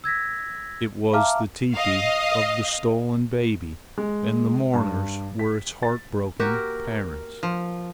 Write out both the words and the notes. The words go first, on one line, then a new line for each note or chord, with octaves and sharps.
It was the teepee of the stolen baby and the mourners were its heart-broken parents.
E6 G#6 A#6 B6
E5 F5 A5 A#5 D6 F6
D#5 F5
G#3
G2
B6
A6
F#4 G4 A#4
F3